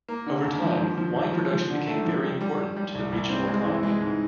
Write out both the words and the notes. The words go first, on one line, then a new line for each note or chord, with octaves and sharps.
Over time, wine production became very important to the regional economy.
A#3
D3
D#2
F3
F3
F3
D#2
F3
F3
D3
A3
F3
G3
G3
G3
G3
C2
C2
C4
G#3
E3
G#3
G#2